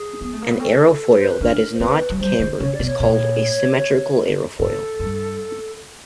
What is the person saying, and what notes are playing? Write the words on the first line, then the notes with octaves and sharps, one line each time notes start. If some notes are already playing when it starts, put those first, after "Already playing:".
An aerofoil that is not cambered is called a "symmetrical" aerofoil.
Already playing: G#4
B3
A3
A#3
B3
C4 A4
C5
B4
D4 A#4
C5
C4 B4
F#3
G3 C5
D#3
C#3 C#5
D5
B2
C#5
A#2 C#5
G#2 A4
G2